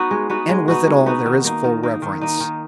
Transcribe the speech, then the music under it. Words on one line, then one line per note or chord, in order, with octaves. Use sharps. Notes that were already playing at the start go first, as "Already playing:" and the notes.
And with it all there is full reverence.
Already playing: B3 D#4 F#4
G#3
B3 D#4 F#4
G#3
B3 D#4 F#4
G#3
B3 D#4 F#4
D#3
A#3 D#4
D#3
A#3 D#4
D#3
A#3 D#4
D#3